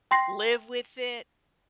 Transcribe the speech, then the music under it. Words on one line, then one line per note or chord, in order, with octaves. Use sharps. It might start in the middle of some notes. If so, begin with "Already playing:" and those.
live with it,
G5 C6 A#6 C7